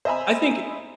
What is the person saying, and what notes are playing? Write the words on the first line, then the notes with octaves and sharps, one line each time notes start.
I think,
C5 D#5 E5 G#5 A#5 B5